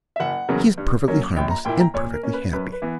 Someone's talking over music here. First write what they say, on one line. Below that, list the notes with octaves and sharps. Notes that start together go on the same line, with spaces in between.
He is perfectly harmless, and perfectly happy.
E5
F#1 F#5
E2 C#3 F#3 A#3
G2
F#3 A#3 C#4
A#1 G5
A#5
A#2 A#3 E4 G5
G5
A#5
A#2 C#5
A#4
A#3 C#4
B4
F#2 B4
B4
E3 B3